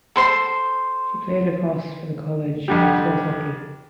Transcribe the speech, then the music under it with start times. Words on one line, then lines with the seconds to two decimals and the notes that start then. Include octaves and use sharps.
She played lacrosse for the college as well as hockey.
0.16 A4 C5 C6
2.68 F2 D3 G3